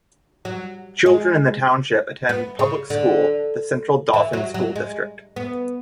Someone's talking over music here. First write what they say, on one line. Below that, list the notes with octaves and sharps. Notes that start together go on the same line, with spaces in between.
Children in the township attend public school the Central Dauphin School District.
F#3
G#3
B3
C#3
D3
E3
F#3
F#3
G#3
B3